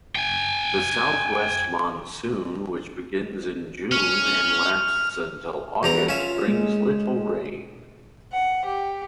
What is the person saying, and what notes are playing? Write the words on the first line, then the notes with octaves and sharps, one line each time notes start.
The South-west monsoon, which begins in June and lasts until August, brings little rain.
G5 G#5
C#4 F6
E2 C4 B4 A#5
C#4 F4 E5
G#3
F#5
G4